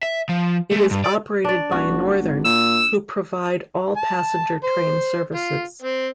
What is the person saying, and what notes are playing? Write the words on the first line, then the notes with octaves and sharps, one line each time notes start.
It is operated by Northern who provide all passenger train services.
E5
F3
G#3 A3
G2
D5
D4 D5
D#1 F#4
F#1
G#1
A#2 E6
A5
C5
F4
C4